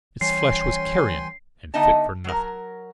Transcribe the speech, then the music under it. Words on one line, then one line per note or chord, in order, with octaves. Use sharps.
Its flesh was carrion, and fit for nothing.
E3 G3 C#4 G5 G#5 C6 C7
D3 B3 D#4 D#5 E5 A5
F#3 A#4